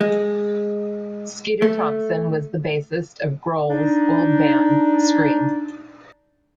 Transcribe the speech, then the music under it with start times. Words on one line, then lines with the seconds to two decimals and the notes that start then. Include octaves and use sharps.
Skeeter Thompson was the bassist of Grohl's old band Scream.
0.01 G#3
1.62 A3
3.70 D4 D#4